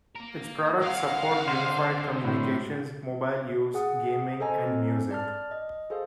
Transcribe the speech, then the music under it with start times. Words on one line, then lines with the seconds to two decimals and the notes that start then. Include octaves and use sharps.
Its products support unified communications, mobile use, gaming and music.
0.15 A#3 A#4
0.81 G#3 C4 F5 F#5
1.48 D3 C5
2.24 A2 C3
3.74 G#4 F#5 D#6
4.40 A4 C5 D#5 G#5 A#5
4.66 C4 A4
5.11 D5 A5 F6
5.51 D#5
5.90 G#4 A4 C5 F5